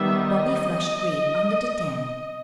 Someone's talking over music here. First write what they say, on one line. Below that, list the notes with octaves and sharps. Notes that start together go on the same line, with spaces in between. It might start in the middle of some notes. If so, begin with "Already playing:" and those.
Bobby flushed red under the tan.
Already playing: D#3 G3 B3 E5
D#5